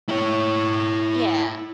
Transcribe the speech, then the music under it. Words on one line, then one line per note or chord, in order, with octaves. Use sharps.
y yeah.
E4 C#5